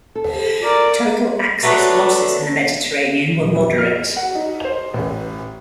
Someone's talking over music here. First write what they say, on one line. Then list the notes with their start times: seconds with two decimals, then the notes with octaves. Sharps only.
Total Axis losses in the Mediterranean were moderate.
0.15 A4
0.64 A#4 D5
1.63 F#3 A3 B3 D4
3.40 D#1
3.55 F2
3.78 F6
4.16 F#5
4.35 D#4
4.65 C5
4.94 A1